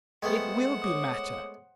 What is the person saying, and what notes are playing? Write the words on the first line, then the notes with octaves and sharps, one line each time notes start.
'It will be matter.
G#3 A3 B3 C5 F#5 G5
C#5 D6 D#6